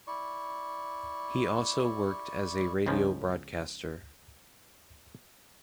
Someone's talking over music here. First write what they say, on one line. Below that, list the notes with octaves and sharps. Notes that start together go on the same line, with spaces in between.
He also worked as a radio broadcaster.
E4 D5 C#6
C#2 C#3 F3